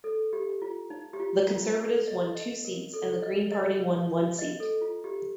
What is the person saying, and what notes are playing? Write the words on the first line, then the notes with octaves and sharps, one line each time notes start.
The Conservatives won two seats and the Green Party won one seat.
A4
G4
F4
D#4
G4
F4
F4
A4
D#5
D#5
A#4
A4
D#5
D#5
D#5
A4
F4
G4